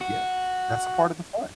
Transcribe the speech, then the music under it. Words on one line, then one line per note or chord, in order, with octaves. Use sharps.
Yes, that's a part of the fun.
F#4